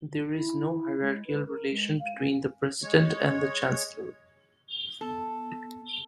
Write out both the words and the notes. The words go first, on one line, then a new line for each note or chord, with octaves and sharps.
There is no hierarchical relation between the president and the chancellor.
D3
E4
G#3
B4
A#4
G#3
F5
C#4
G#3 C#5
B3 A4